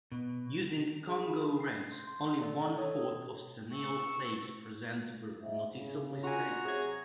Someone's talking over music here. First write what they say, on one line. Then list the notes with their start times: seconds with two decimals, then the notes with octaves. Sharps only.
Using Congo red, only one-fourth of senile plaques present were noticeably stained.
0.12 B2
1.07 G#4 F5 B5
1.61 C7
1.92 C6 G6
2.07 C6
2.41 A4 D5 F5
2.77 A4 C#5 D#6
3.74 C#6 E6
5.42 G#2 E5
5.76 C#3
6.23 F4 F#4 G#5 A#5
6.65 C3 F#3 G#4 G#6